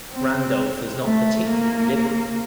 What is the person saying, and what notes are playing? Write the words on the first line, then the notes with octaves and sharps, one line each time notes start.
Randolph was not particularly liberal.
C4
A3
A#3